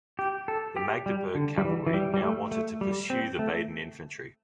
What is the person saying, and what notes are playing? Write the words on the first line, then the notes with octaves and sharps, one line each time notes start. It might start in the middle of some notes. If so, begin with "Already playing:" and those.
The Magdeburg cavalry now wanted to pursue the Baden infantry.
G4
A4
G4
G3
D3
G3
E3
E3
G3
G3
A3
A3
G3
C4
A3